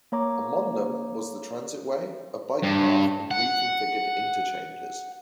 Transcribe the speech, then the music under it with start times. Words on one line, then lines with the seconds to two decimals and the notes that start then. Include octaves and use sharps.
Among them was the transitway, a bike path and reconfigured interchanges.
0.12 A#3 C#5 A#5 D6
2.63 G2
3.31 F#5